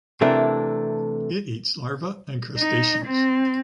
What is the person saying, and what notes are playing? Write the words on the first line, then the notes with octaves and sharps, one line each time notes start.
It eats larvae and crustaceans.
C3 E3 A3 D4 A#4
D#4
C4